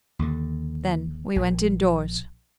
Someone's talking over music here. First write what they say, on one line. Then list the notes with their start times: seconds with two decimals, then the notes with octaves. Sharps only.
Then we went indoors.
0.19 D#2 D3
1.36 A#1